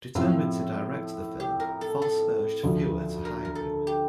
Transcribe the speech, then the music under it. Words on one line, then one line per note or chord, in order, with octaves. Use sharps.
Determined to direct the film, Fosse urged Feuer to hire him.
A2 F3 C4 F4
G4
A#4
A4
A4
D2 D3 F3
A#4
A#4
A4
G4